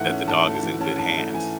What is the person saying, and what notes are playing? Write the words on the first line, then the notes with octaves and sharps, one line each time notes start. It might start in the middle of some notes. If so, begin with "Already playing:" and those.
that the dog is in good hands.
Already playing: G#2 E3 A3 E5 F#5
C#4
G#2 A5
A3
A5
E3
C#4 A5
G#2 A5
A3
E3 G#5